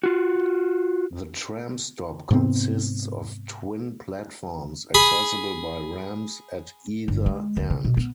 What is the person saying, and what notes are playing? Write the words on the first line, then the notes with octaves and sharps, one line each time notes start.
The tram stop consists of twin platforms accessible by ramps at either end.
F4 F#4
G#2 C3 B3 C4
G#4 B5 D#6
G1
G#3
D2
C#3
B2
B3